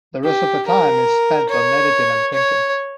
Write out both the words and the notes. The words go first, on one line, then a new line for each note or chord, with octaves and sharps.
The rest of the time is spent on editing and thinking.
G4
A#4
C#5
C#5